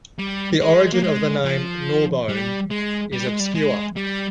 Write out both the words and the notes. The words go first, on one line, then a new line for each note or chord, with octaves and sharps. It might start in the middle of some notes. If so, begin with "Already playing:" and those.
The origin of the name Gnaw Bone is obscure.
G3
G#3
A#3
G#3
F3
G3
G#3
G3
G#3
G3
G#3
G3